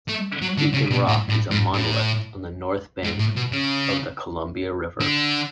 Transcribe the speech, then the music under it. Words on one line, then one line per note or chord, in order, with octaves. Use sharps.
Beacon Rock is a monolith on the north bank of the Columbia River.
A3
F#3
D3
C#3
B2
A2
A2
G#2
A2
G#2
A2
B2
C#3
D3